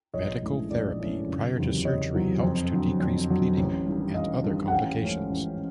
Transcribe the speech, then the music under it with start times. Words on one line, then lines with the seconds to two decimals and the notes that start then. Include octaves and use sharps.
Medical therapy prior to surgery helps to decrease bleeding and other complications.
0.13 A#1 C#5 D#5
0.42 G#2 E3 A3 C#4
0.71 A#1 D5
0.99 G#2 E3 A3 C#4
1.28 F#1
1.57 E2 C3 D#3 F#3
1.85 F#1 C#5 D#5
2.14 E2 C3 D#3 F#3
2.43 F2
2.71 D3 F#3
3.00 F2
3.29 D3 F#3
3.57 A1
3.86 G2 D#3
4.14 A1 D#5 F5
4.44 G2 D#3
4.68 F#5
4.72 A1 F5 G5
5.01 G#2 F3 A3 C#4
5.29 A1